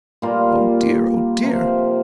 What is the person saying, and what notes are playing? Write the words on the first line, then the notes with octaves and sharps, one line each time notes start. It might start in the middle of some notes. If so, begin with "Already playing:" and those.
Oh, dear, oh, dear!
A#2 G3 A#3 F4
C3 F3 A#3